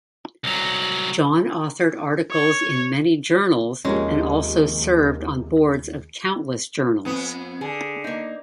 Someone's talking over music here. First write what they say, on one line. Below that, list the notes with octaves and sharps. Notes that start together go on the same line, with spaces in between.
John authored articles in many journals and also served on boards of countless journals.
C2 F#3
C#5
D#2 C3 F3 G#3 A#3 C#4
F2 B3
D3 G#4
A#3 D#4